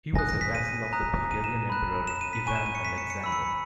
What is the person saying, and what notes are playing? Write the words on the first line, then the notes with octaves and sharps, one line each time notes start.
He was a vassal of the Bulgarian Emperor Ivan Alexander.
G#5 D#6 F#6 A#6
A#6
B6
D#7
A#5 D#6 F#6
D#7
E7
B5 F#6
E7
D#7
B6
G#5 C#6 F#6 D#7
E7
D#7
C#7
B6
C#7
C#7
B5 E6
C#7